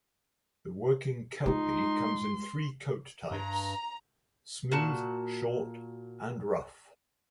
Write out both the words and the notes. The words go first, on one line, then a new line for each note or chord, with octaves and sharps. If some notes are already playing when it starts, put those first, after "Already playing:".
The Working Kelpie comes in three coat types: smooth, short, and rough.
G#3 D#4 F4 C6
G2 A#5
A#2 F#4 A5